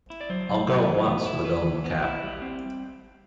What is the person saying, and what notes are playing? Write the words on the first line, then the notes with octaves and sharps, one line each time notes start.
I'll go at once for the Golden Cap.
E4
D5
F#3 C5
F#3
B3
E3
B3
E4
E3 B4
E3
B3
E4
G3
C4